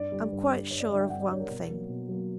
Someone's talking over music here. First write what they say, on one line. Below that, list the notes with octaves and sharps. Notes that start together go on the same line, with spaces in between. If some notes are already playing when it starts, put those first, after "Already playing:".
I'm quite sure of one thing.
Already playing: G2 D5
D3 G3
G2
D3 G3
G2 C#5
D5
D3 G3 E5
G5
G2 F#5
D5
D3 G3 C#5
A#4
B2
F#3 A#3
B2
F#3 A#3